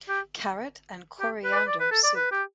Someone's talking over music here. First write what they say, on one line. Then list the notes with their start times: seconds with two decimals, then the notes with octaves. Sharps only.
Carrot and coriander soup.
0.09 G4
1.20 G4
1.44 B4
1.52 D5
1.56 B4
1.68 D5
1.80 B4
1.91 A4
2.04 D5
2.16 B4
2.32 G4